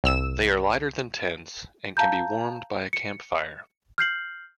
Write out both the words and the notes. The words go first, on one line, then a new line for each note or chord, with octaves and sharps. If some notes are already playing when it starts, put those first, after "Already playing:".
They are lighter than tents and can be warmed by a camp fire.
C2 E6 E7
F5 A5 A#5 G6
C#7
F6 G6 C7 F#7